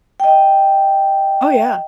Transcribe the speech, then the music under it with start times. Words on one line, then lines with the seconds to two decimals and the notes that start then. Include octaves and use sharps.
Oh, yeah.
0.20 D#5 G5